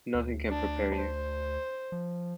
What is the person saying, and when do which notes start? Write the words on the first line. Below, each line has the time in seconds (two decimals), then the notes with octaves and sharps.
Nothing can prepare you.
0.14 D2
0.49 D4
0.95 C5
1.92 F3